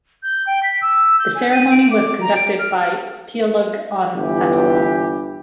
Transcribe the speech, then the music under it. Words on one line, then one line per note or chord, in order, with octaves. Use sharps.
The ceremony was conducted by Piailug on Satawal.
G6
G5
B6
E6
G6
G#5
D#7
D7
D6
A#5
D7
F6
G1 E3 G4